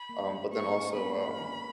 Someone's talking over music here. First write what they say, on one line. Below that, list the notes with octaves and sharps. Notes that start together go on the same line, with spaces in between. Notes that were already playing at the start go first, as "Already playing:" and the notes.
um, but then also, um,
Already playing: B5
A#3
G#3
A#3 C#6
B3
C#4
B3 B5
B3
A#3
C#4